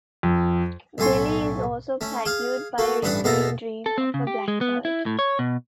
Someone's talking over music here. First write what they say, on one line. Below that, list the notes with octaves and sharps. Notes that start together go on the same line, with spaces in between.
Billy is also plagued by a recurring dream of a black bird.
F2
B1 A2 A3 G#5 C6 C#6
A3 C#4
G#4 F5
A3 A#3 F#4
A1 G2 D4 B4 F#5 D#6
E2 B2 A#3 A4 E5 A#5
A4
C4
C#3
G4
G#3
B3
E4
A2
C#5
B2